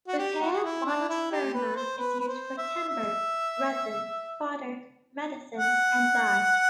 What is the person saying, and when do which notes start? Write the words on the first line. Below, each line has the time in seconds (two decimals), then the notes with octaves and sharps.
"Butea monosperma" is used for timber, resin, fodder, medicine, and dye.
0.08 F#4
0.19 G4
0.41 F#4
0.52 F#4
0.64 E4
0.86 D4
1.09 E4
1.31 G4
1.54 B4
1.76 C5
1.99 B4
2.20 B4
2.28 C5
2.58 E5
2.88 E5
5.57 F#5